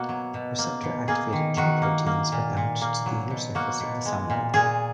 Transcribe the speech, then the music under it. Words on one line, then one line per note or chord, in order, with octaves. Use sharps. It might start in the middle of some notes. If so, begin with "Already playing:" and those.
Receptor-activated G proteins are bound to the inner surface of the cell membrane.
Already playing: B2 A#3 F#4
F#3
B2
A#3
B2
A#3 G#4
D#3
D#3 F#4
A#3
A#3
A#2
A#2
A#3
F#3
B2
A#3 F#4
B2
G#3
A#2
A#2 G#4